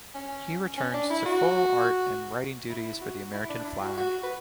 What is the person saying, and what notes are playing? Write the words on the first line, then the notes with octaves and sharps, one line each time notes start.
He returned to full art and writing duties for the American Flagg!
C#4
C#4
D4
E4
F#4
E4
F#4
E4
D4
E4
F#4
F#4
B4